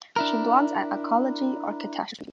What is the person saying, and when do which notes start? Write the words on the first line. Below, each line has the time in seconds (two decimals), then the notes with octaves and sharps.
She blogs at Ecology or Catastrophe.
0.16 D4 E4 A#4